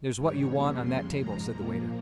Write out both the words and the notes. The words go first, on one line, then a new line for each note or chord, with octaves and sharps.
"There's what you want on that table," said the waiter.
G#2 D#3 G3 C#5
F2 C3 G3 A#3 C#5
F2 C#3 G#3 C6
G#2 F3 G#3 A#5
A#2 F3 A#3